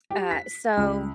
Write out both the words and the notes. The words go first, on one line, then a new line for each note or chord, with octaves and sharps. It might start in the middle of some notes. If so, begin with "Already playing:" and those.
Uh, so,
G4
B6
C#2